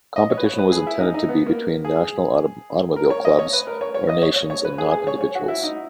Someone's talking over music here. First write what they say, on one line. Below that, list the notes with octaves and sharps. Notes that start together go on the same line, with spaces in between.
Competition was intended to be between national automobile clubs, or nations, and not individuals.
D#5
C#5
B4
C#5
B4
G#4
E4
D#4
D#4
B3
A#3
G#4
A#4
C#5
D#5
C#5
B4
A#4
C#5
C#5
D#5
C#5
C#5
C#5
B4
G#4
G#4
C#5
C#5
F#4
E4
D#4